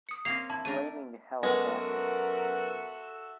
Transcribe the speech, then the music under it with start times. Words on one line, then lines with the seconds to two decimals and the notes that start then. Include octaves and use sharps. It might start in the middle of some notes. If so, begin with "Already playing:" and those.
Flaming Hell Castle!
0.09 D#6 C#7
0.25 A#3 C4 C#4 C7 F7
0.50 E4 A5
0.65 A3 D4 A#4 D#7
1.43 F#2 G#3 B3 F#4 A4 A#4 E5